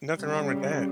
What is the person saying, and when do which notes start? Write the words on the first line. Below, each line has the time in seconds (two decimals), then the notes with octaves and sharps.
Nothing wrong with that.
0.16 C#3 G3